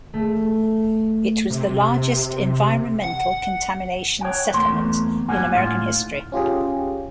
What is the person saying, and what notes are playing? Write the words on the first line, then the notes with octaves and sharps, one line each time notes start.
It was the largest environmental contamination settlement in American history.
A3
C3
F#5
C#5 F#5 G5
E2 A3 A#3 C6
G2 G3 A#3 F#5 G#5
A2 F4
C#4 F4 G4 G#4